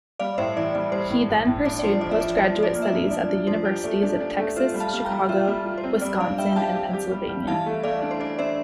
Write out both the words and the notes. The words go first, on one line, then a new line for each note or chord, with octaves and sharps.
He then pursued postgraduate studies at the universities of Texas, Chicago, Wisconsin, and Pennsylvania.
G3 D5 F5
A2 C5 E5
E3 D5
G3 D5
G3 C5
A2
A2
A2
D4 D5
D5
F3 C5
F3 D5
E5
F3 D5
F3 C5
F3
D5
A#3
E5
D5
D4
F3 D5
D4
F3 C5
G4
A3 D5
D4
D4
A3
F4 C5 E5
G3
F5 A5
G3
G5 A#5
G3
F4 E5 G5
G3
F4
C5
C4
G3 D5
D4 D5 F5
G3 E5 G5
G5
G4 F5 A5
G4
G4
G3
G3
E3 F5 A5
A3
A3 D5 F5
D4
C5
D4 D5
D4 C5 E5